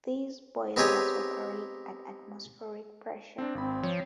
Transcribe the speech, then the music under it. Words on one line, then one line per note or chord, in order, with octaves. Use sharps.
These boilers operate at atmospheric pressure.
B3 C4 D#4 G4 G#4 C#5
C4 D4
G#1 C4 B5
F3 C#5